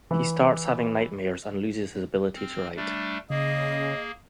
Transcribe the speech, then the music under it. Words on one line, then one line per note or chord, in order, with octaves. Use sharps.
He starts having nightmares and loses his ability to write.
E3
C4 F6
G3 A3 D4
C#3 A#3 G#4 D#5